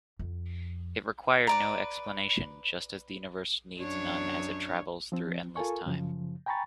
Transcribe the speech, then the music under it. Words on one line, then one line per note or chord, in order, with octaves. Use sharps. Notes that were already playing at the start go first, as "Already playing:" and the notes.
It required no explanation, just as the universe needs none as it travels through endless time.
F2
B4 D5 A#5
F#2 D4 C#5
F3 C4
F4 A4 A#4 G#5 C#6
F#2 C#3 F3
G5 G#5 A#5 B5 C#6 A6